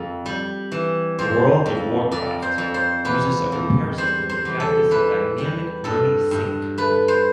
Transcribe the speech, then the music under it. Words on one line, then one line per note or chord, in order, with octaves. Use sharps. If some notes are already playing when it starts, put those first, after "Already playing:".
"World of Warcraft" uses a repair system to act as a dynamic money sink.
Already playing: F2
G3
E3
F2 C5
F2
F2 D5
C5
F2
C5
E2 B4
E2
G3 C5
C5
E2
A4
E3 B4
G3
G2 A4
G2
A3 B4
C5